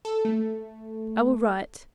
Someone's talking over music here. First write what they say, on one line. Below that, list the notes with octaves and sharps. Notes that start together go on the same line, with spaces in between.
I will write.
A4
A3